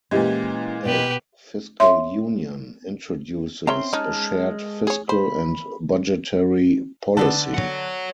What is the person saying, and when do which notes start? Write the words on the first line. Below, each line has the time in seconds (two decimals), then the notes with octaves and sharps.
A "fiscal union" introduces a shared fiscal and budgetary policy.
0.11 A#2 E3 G#3 C#4 E4 G4
0.85 B2 G4 B4
1.80 C#5 E5 C6
3.67 C4 C#4 E5 A#5 C6
3.93 G#3 C#4 D#4 A5 F6
4.87 G#4 C#5
5.09 C5 B5
7.17 D3 B3 D4 A4
7.54 C#5 F#5